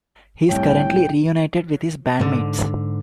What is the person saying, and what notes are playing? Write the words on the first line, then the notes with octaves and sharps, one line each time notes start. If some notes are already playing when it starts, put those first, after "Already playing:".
He is currently reunited with his band-mates.
C2 A2 C#5 G5
G#2 D3